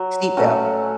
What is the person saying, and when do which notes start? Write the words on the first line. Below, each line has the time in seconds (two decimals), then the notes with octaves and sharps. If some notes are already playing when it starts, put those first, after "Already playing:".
Seat belt.
Already playing: F#3
0.37 A3 C#4 F#4